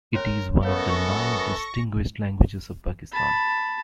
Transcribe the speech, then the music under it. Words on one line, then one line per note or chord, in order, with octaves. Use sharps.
It is one of the nine distinguished languages of Pakistan.
C#4 A#4 C#5 C6
F#2 B3 A4 A#4 C#5 F5 C#6 A#6
A5 B5